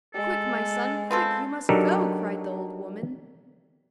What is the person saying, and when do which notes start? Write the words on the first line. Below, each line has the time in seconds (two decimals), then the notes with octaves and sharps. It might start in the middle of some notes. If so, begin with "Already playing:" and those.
'Quick, my son, quick, you must go,' cried the old woman.
0.14 G#3 A4
1.11 B3 C4 F4 A4
1.69 F#3 D4 D#4 G4 A4 A#4